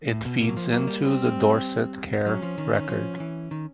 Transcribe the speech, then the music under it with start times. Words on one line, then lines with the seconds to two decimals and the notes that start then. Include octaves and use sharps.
It feeds into the Dorset Care Record.
0.10 A2
0.25 B2
0.40 B2 A#3
0.49 F#3
0.57 F3
0.72 F#3 A#3
0.87 G3
1.03 C4
2.26 F#3 C#4
2.42 F3
2.58 D#3
2.74 D#3
2.89 F3
3.20 E3
3.51 D#3